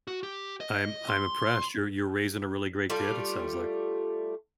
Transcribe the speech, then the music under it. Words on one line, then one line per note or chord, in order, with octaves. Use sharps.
I'm I'm impressed, you're you're raising a really great kid it sounds like.
F#4
G4
D#5
C6
G3 A3 F4